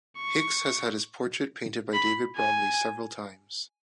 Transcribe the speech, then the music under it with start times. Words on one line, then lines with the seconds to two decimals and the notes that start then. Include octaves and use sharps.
Hicks has had his portrait painted by David Bromley several times.
0.18 C#6
1.94 B5
2.37 G#5